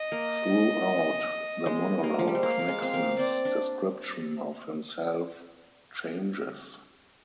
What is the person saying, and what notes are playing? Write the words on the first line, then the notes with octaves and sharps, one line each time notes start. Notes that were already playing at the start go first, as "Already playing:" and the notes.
Throughout the monologue, Nixon's description of himself changes.
Already playing: D#5
A#3
G#3
A#3
F3
G3
G#3
A#3 F5
A#3
G#3
C4 F5
A#3
C4 D5
D4